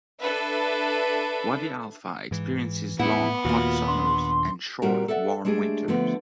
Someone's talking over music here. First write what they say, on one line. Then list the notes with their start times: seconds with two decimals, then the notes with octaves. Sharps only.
Wadi Halfa experiences long, hot summers and short, warm winters.
0.21 D4 A4 B4 E5
2.31 G#2 E3
2.99 E2 A2 B3 E4 F#5
3.44 D#2 A#2 A#3 F4 F#4
3.88 D4 C6
4.82 A#2 G3 C4 F#4 G4 A#4
5.08 A4 D5 E5 F#5
5.45 G#3 A3 D4 G4 G#4
5.88 D3 F3 A3 B3